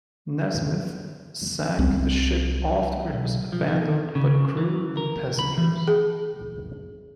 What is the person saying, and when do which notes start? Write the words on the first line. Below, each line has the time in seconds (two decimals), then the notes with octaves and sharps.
Nasmith sank the ship after it was abandoned by the crew and passengers.
1.79 C2 C4
3.13 B1
3.52 F3
3.68 D#3
4.15 C#3
4.57 E3
4.97 A#4
5.39 B5
5.58 E3
5.87 G#4